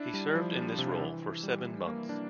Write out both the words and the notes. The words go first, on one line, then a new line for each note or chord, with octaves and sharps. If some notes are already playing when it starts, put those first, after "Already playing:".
He served in this role for seven months.
Already playing: D4 E4
G3
F3
G3
C3
E3
G3
A#3
D4